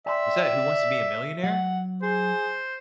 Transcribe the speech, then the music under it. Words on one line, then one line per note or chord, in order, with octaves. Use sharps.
was that, Who Wants to Be a Millionaire?"
D5 E5 G5 C6
F#3 F#5
G#4 C5